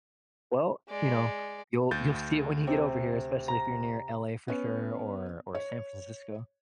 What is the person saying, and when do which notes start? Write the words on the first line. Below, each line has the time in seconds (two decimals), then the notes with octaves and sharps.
Well, you know, you'll you'll see it when you get over here, especially if you're near LA for sure or or San Francisco.
0.89 G#3 D5
1.91 D2 G6 A6
2.67 C3
3.48 A#5
4.48 B3 C#4
5.55 C#5